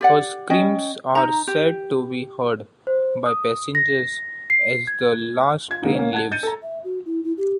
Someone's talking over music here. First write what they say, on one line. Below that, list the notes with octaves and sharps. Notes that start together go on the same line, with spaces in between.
Her screams are said to be heard, by passengers, as the last train leaves.
G4 D5 F#5
C#4 D#5 G5
D#4 A#5
G4
C5
D#6
A#6
C7
G#6
F4 G#6
D3 G#3 A#3 D#4
A#3 C#4
F#5 A5 G#6
G6 A6 C#7 D#7
A4 A#5
E5
F#4
E4
E4
G4